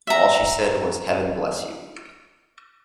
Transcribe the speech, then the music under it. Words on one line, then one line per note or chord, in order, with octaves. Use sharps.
All she said was 'Heaven bless you!
E5 A#5